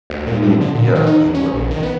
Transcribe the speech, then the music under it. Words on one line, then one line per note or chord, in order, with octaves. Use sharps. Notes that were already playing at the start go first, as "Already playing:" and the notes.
Mm, yeah, sure.
D2
A#2
A2
D3
A#2
D#3
D#4
E2
C#4
A#1
D#3
B3